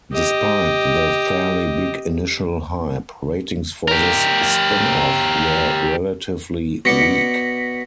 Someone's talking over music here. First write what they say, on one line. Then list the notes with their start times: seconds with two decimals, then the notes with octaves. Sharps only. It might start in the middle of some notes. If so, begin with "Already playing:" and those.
Despite the fairly big initial hype, ratings for this spin-off were relatively weak.
0.13 G4 D#5
3.88 G4 A#4
6.85 B2 D5 A#6 B6 C#7